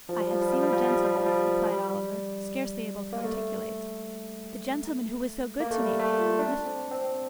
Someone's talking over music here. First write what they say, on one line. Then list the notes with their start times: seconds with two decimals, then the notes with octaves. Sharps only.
'I have seen the gentleman,' replied Oliver, scarcely able to articulate, 'the gentleman who was so good to me--Mr.
0.09 F3
0.20 G3
0.31 F3
0.41 G3
0.52 F3
0.63 G3
0.73 F3
0.84 G3
0.94 F3
1.05 G3
1.16 F3
1.26 G3
1.37 F3
1.66 G3
3.13 A#3
3.24 A3
5.60 A#3
5.71 A3
5.79 G3
6.00 A3
6.19 F4
6.39 D4
6.65 C4
6.91 C4